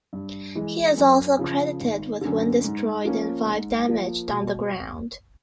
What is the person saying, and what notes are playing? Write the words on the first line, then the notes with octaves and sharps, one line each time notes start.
He is also credited with one destroyed and five damaged on the ground.
G2
E3 G#3
F#2
C#3 F3
G#1
F#2 D3
G#2
F3 A#3 C#4
G#2
F3 A#3
B2